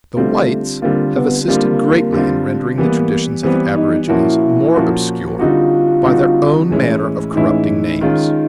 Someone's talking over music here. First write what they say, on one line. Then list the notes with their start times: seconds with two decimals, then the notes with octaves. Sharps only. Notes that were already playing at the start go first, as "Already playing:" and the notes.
The whites have assisted greatly in rendering the traditions of the Aborigines more obscure by their own manner of corrupting names.
0.16 D3 G3 A3 C4 F4
0.82 D3 G3 A#3 C4 F4
1.15 B3
1.47 D3 G3 A#3 C4 F4
2.13 D3 G3 C4 F4
2.78 E3 G3 A#3 B3
3.43 E3 G3 B3 C4
3.76 D#4
4.08 A#2 F3 A#3 C#4 E4 F#4
4.74 A#2 F3 A#3 C#4 F#4
5.39 D3 G3 C4 D#4 F4 F#4
6.05 D3 G3 C4 D#4 F#4
6.70 A2 E3 G#3 C#4 E4
7.35 A2 E3 G#3 C#4 D#4 E4
8.01 D#3 G#3 C#4 F4